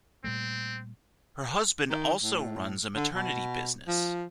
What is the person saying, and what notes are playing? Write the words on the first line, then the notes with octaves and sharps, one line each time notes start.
Her husband also runs a maternity business.
A#2 G3 A3 C4
D#3
A2
D3
B2
F3